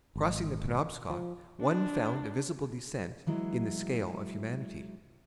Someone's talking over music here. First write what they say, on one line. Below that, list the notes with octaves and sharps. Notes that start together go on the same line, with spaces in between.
Crossing the Penobscot, one found a visible descent in the scale of humanity.
G#1
F3
D4
E3 F#3 G#3 E4